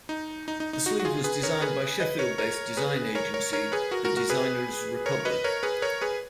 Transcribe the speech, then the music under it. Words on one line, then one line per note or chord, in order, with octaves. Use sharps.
The sleeve was designed by Sheffield-based design agency The Designers Republic.
D#4
D#4
D#4
D#4
D#4 F#4
F#4
F4 G#4
G#4 B4
A#4 C#5
A#4
G#4 B4
B4 D#5
A#4 C#5
A#4 C#5
G#4 B4
A#4 C#5
A#4 C#5
A#4 C#5
G#4 B4
F#4 A#4
F#4 A#4
F#4 A#4
G#4 B4
A#4 C#5
B4 D#5
A#4 C#5
G#4 B4
A#4 C#5
G#4 B4